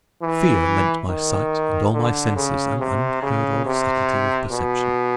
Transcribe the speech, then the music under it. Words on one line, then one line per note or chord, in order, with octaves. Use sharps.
Fear lent my sight, and all my senses, an unheard-of subtlety of perception.
E3
D#3
D3
C#3
C3
C#3
C3
B2